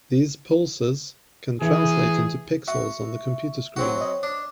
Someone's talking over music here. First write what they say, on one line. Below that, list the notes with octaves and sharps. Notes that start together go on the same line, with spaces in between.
These pulses can translate into "pixels" on the computer screen.
E3 G#4 E5
F#4 E5
F#3 C4 F#4
C#5 D#5
D4